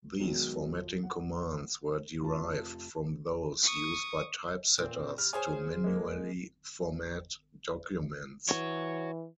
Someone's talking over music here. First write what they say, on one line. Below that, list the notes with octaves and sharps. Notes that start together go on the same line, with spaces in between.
These formatting commands were derived from those used by typesetters to manually format documents.
B1 E2 D#3 F#3 G#3 B3
F3
F#5
F1 F4 A5
C#6 D#6
A#2 C4
G3 F6
F4 G#4 C5 C#5 G#5 D#6
G#3 A#3
E3 F#4 C#5